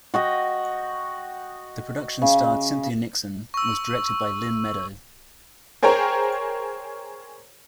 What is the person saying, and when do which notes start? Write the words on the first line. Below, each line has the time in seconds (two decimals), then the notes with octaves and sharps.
The production starred Cynthia Nixon and was directed by Lynne Meadow.
0.14 F#4 D#5 G5
2.22 C#3
3.54 C#6 E6
5.83 G#4 A#4 C5 C#5 G5 A#5